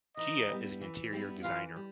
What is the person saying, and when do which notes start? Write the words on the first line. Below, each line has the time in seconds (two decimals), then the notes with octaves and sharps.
Jia is an interior designer.
0.17 E3 D#4 D#5
0.50 G3 B3 E4
0.81 E3
1.13 G3 B3 E4
1.44 E3 F4 F5
1.76 G3